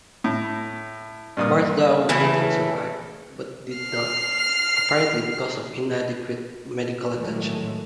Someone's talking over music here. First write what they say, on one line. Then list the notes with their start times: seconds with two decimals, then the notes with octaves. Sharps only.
Barthou might have survived, but did not, apparently because of inadequate medical attention.
0.24 A2
1.37 G2 A#2 D#6
2.09 C#3 E3 A3
3.77 F6 C7
7.17 A2 D#3 F#3 G#3 A3